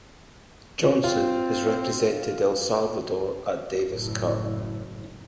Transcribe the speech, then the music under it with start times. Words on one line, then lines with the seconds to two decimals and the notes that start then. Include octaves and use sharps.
Johnson has represented El Salvador at Davis Cup.
1.04 C4 F4
3.89 F#1 A2